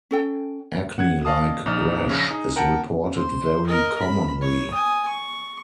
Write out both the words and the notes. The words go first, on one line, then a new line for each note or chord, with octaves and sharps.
Acne-like rash is reported very commonly.
C#4 A4 G5
F#5 F#6 G#6
D5 D#5 F5 A5 D#6
A#1 D#4 D5 F6
A#1 C#3 C#5 F6
D#4 G#4
A#4 F#5 G5 A5
C5
A#4 D#5
B5
C#5
G#5 D#6
C#6